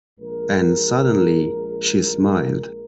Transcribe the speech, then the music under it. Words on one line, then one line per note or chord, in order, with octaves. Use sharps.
And suddenly she smiled.
A#1 G#3 A#4